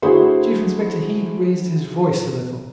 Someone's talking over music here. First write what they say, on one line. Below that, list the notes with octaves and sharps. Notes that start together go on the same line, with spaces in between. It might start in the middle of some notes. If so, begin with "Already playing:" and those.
Chief Inspector Heat raised his voice a little.
D3 A3 E4 F#4 G#4 C5